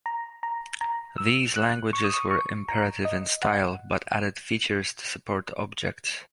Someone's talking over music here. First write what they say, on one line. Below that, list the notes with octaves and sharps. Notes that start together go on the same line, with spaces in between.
These languages were imperative in style, but added features to support objects.
A#5
A#5
A#5
E6
F#6
C#6
D#6
C#6
C#6
A#5
D#5
F#5